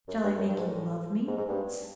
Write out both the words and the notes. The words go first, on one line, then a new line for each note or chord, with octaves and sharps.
Shall I make you love me?...
F#2
G2
F#2
G2
G#2
A2
G#2
G#2
G2